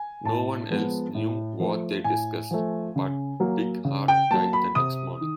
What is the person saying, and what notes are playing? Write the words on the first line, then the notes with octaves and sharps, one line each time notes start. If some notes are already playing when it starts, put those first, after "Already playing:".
No one else knew what they discussed, but Bigheart died the next morning.
Already playing: G#5
A2 A5
F3 G#3 B3
A2
F3 A3
A2 G#5
F3 A3
C#3
F#3 A#3
C#3
G5
F#3 A#3 A5
B5
C3 D#6
D#3